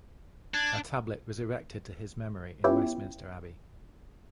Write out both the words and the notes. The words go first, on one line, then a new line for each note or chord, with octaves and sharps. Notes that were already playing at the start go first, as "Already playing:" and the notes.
A tablet was erected to his memory in Westminster Abbey.
D4 G#6
B3 C#4 E4 F4 G4